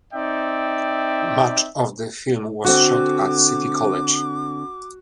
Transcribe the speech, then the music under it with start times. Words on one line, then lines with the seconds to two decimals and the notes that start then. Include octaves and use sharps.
Much of the film was shot at City College.
0.13 C4 D#4 D5 E5 G5
2.64 D3 C4 F#4 D6